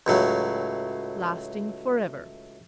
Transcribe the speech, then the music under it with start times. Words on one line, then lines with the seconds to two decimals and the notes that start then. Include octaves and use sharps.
Lasting forever.
0.07 C#2 A2 F#3